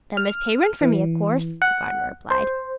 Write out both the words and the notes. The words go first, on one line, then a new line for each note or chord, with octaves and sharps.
"Them as pay rint for me, a course!" the Gardener replied.
F6
E3
F#5
C5